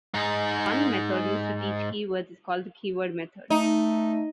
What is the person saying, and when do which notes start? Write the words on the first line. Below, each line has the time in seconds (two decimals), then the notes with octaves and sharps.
One method used to teach keywords is called the keyword method.
0.14 G#2 D#4
3.50 A3 D#4